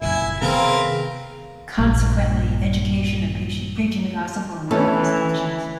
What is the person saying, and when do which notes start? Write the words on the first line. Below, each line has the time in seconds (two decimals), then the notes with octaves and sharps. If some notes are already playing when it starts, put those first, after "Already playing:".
Consequently, education and preaching the Gospel were McGuffey's passions.
0.02 F#1 F2 A#2 E4 G#5
0.41 C3 D#3 B3 C4 G#4 A#4 B4 F5
1.78 A#1 G2
4.71 E3 A3 B3 C#4